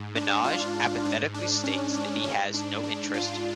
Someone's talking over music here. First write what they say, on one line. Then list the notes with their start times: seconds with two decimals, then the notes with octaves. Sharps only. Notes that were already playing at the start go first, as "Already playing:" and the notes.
Manoj apathetically states that he has no interest.
Already playing: G#2
0.15 D4
0.44 F4
1.05 G#2 D4
1.34 D4
1.64 C#4
1.94 D4
2.24 G#2 C#4
2.54 D4
2.83 D4
3.14 F4